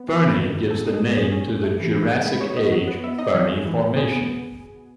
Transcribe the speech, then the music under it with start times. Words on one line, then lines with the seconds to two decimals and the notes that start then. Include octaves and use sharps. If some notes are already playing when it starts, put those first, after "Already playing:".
Fernie gives the name to the Jurassic-Age Fernie Formation.
Already playing: B3
0.08 E3
0.24 D#3 B4
0.39 D#3
0.55 D#3
0.71 B2 A4
0.86 D#4
0.93 G#4
1.02 G#3
1.17 A2 G#4
1.32 C#4
1.48 G#3
1.63 A3
1.79 E3
1.95 E3
2.10 G#3
2.25 G#3 B4
2.41 D#4 C#5
2.56 B3 D#5
2.72 F#3
2.88 B3
3.04 B3 E5
3.19 D#4 D#5
3.34 F#3 C#5
3.50 G#3
3.65 E3
3.81 A2
3.97 B2 G#4
4.12 B3